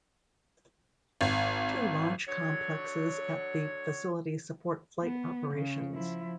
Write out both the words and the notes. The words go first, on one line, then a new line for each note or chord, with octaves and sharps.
Two launch complexes at the facility support flight operations.
G#1
D3 F#3 C#5
B3
C#3
F3 E4